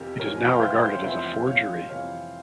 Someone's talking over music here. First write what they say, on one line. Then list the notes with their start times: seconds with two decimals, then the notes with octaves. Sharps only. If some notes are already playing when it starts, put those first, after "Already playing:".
It is now regarded as a forgery.
Already playing: F2 C3 E3 G4 A#4
0.19 F2 C3 E3 A#4 C#5
0.35 G#5
0.45 G5
0.52 F5
0.62 C5 E5
0.85 C5
0.95 C#5
1.04 F2 C3 E3 C5 E5
1.36 G5
1.47 C#5 F5
1.89 F2 C3 E3 C#5 F5